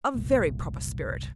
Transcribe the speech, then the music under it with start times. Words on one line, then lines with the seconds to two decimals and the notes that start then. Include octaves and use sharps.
A very proper spirit!'
0.14 F#1 C2 A#2 A#3